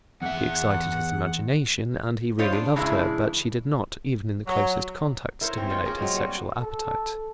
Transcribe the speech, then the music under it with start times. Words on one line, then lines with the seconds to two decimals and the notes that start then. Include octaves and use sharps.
She excited his imagination, and he really loved her; but she did not, even in the closest contact, stimulate his sexual appetite.
0.22 E2 E5 F#5
2.38 F4 C5 C#5 D#5
2.52 D4
2.76 C#3 E3 G#3 D4 E4
4.46 F#3
5.41 E4 A#4 C5 C#5
5.55 E3 C4 C#5
5.70 F4 C#5 D#5 G5
5.85 A#3 C#4 G#4 A#4
5.99 F#3 G#3 C4
6.14 G3 F#4
6.62 A4